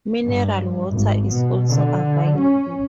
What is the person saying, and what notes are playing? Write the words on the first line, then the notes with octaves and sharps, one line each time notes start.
Mineral water is also available.
G2
G#1
B2
D3
C#4